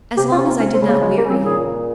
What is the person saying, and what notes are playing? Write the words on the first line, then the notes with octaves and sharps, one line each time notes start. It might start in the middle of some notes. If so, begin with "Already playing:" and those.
"As long as I did not weary you."
C3 G4
F4
C3
D#4
G#3 C#4
C4
C#3
A#3
G3 G#3
A#3
C#3
C4
A#2 G#4
A#2